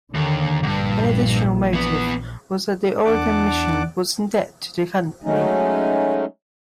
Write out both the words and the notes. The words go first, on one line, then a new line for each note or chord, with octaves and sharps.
An additional motive was that the Oregon Mission was in debt to the Company.
D#2 D3
A#1 E2 G2
E3 B3
E2 D4 F#5 A5 D6
F#3 G#3 A3 C#4 D#4